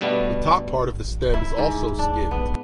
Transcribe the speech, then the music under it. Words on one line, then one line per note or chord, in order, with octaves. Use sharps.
The top part of the stem is also skinned.
G2 B2 G3 A3 B3
E4
G#2
D4
B3